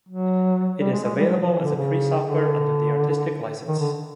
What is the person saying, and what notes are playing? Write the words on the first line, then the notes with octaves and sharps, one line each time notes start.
It is available as a free software under the Artistic License.
F#3
G3
G#3
G#3
G3
F#3
F3
E3
D3
C#3
D3
D#3
D3